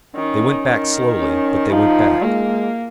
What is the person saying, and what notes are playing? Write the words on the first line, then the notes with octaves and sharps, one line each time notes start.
They went back slowly, but they went back.
D#3 C#4
D#3
C#4
F3 D#4
G#3 A#3